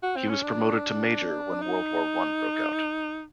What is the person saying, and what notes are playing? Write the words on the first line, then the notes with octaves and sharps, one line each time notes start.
He was promoted to Major when World War One broke out.
F#4
C4
C#4
D4
D#4